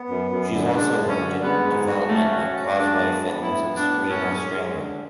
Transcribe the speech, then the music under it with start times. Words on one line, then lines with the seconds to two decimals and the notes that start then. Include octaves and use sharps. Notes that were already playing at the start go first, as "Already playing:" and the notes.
She has also worked in development at Causeway Films and Screen Australia.
Already playing: B3
0.08 F#2
0.31 F#2
0.53 D3
0.75 G#3 D4
0.98 F#2
1.09 C#4
1.20 D3
1.42 G#3 B3
1.64 G#2
1.87 F#4
2.09 A3 C#4
2.31 F#4
2.53 F#4
2.75 G#3 D4
2.98 B3
3.20 B3
3.42 A2 E4
3.64 B3
3.76 D4
3.86 A2
4.08 B3 C#4
4.31 G#3
4.53 G#3
4.75 D3